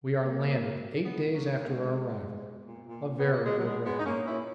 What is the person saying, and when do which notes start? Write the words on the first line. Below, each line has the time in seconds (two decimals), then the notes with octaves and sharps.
We are LANDED eight days after our arrival--a very good record.
0.24 A#2 F#3 A#3
0.44 A#2
0.65 A#2
0.85 A#2
1.04 B2 G#3 B3
1.25 B2
1.31 F#3 A#3
1.44 B2
1.58 G#3
1.64 B2
1.85 B2
2.05 B2
2.26 B2
2.45 B2
2.65 A#2
2.86 A#2
3.05 A#2
3.20 B3
3.25 A#2
3.32 A#3
3.46 B2 G#3
3.59 F#3
3.66 B2 G#3
3.85 B2 G#3 B3
3.99 D#4
4.05 B2 A#3 C#4
4.26 A#2 C#4 E4